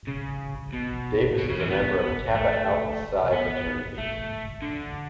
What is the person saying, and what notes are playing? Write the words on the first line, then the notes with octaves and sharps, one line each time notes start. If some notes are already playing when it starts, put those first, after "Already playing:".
Davis is a member of Kappa Alpha Psi fraternity.
C#3
B2
B2
C#3
E3
B3
A3
B3
A3
D3